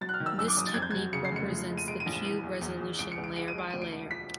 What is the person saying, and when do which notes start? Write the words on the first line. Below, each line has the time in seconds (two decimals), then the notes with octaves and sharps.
This technique represents the cube resolution layer by layer.
0.01 F#3 A6
0.09 F#6
0.14 F6
0.20 D#3
0.26 E6
0.38 F#2 E6
0.48 D6
0.57 F#2 D#6
0.67 A6
0.74 F2 G#6
0.82 G6
0.91 F#3 G#6
1.13 C#3 C#7
1.25 C7
1.32 F1 C#7
1.50 F3
1.69 G#3
1.77 D#7
1.88 G#3 D7
2.00 D#7
2.06 A#1
2.13 E7
2.24 E3 D#7
2.43 E2
2.61 E2
2.80 E2
2.99 C#2 D7
3.12 C#7
3.18 C#2
3.24 D7
3.36 G#3 D7
3.48 D#7
3.55 G#3 D7
3.70 D2 D#7
3.82 D7
3.92 E1
4.11 F3 B6